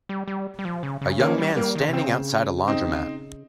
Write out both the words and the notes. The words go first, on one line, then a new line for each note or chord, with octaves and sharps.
A young man standing outside a laundromat.
G3
G3
G3
F3
C#3
C#3
D#3 A#3 C#4
G3
G3 A#3
D#3
C3
C#3 C4
C4 D#4